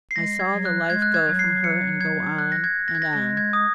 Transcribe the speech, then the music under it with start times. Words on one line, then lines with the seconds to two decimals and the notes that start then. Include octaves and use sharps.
I saw the life go from her and go on, and on.
0.11 C7
0.16 G#3 A#6
0.40 G#6
0.52 F#3
0.65 F#6
0.89 G#3 G#6
1.02 F#6
1.14 G#6
1.26 F#3
1.39 C7
1.64 C#7
2.01 G#6
2.38 F#6
2.52 A#6
2.64 G#6
2.88 A#6
2.95 G#6
3.02 A#6
3.13 G#3 A#6
3.37 G#6
3.53 D#6